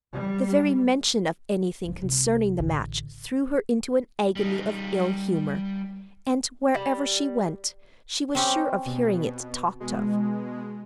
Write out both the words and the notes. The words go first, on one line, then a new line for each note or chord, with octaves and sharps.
The very mention of anything concerning the match threw her into an agony of ill-humour, and wherever she went she was sure of hearing it talked of.
G3
F3 D#4
C2
A1 D3
G3 D#4
G3
C4 C#4 G4
B2
B2 G#3